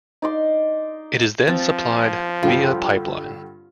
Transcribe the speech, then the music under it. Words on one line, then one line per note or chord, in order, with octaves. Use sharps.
It is then supplied via pipeline.
D#4 D5 C6
F3 C4 A6
G2 D3 F4 G4